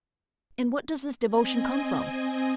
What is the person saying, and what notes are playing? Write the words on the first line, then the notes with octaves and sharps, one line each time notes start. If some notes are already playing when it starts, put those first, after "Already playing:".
"And what does this devotion come from?"
C4 D#5 G#5